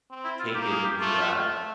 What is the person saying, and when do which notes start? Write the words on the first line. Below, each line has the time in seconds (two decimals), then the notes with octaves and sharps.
take into that
0.11 C4
0.25 E4
0.40 F4
0.55 A#3 G4
0.70 G#4
0.84 G4
0.99 A3 F4
1.44 A3